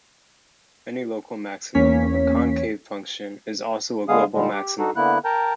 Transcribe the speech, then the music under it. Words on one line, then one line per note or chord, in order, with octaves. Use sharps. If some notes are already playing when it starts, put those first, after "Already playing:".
Any local maximum of a concave function is also a global maximum.
E2 A#3 C#4 C#5 B6
D3 G#3 B3 G#4 F5 D#6
A#2 D3 G3 G#3
G4
D#4 F#4 A4
D3 A#3 B3 E4 F#6
A#4 G5 A5 A#5 G6